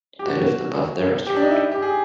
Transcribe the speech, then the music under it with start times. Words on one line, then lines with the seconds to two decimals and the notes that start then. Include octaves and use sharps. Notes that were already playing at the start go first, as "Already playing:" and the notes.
They lived above their restaurant.
0.19 G4
0.26 F#4
1.27 G4
1.36 D4
1.43 D#4
1.51 E4
1.72 G4
1.82 G#4